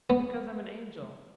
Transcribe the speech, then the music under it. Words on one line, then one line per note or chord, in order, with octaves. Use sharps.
"Because I'm an angel."
B3